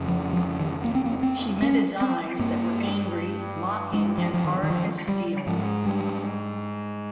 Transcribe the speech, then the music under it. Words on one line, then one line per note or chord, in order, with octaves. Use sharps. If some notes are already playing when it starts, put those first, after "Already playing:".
She met his eyes, that were angry, mocking, and hard as steel.
Already playing: F2 C#3
F3
F3
D#3
A#3
C4
A#3
C4
C#4
C4
G2 A#3
G#3
F3
F3
D#3
D#3
F3
G3
G#2 F3
G3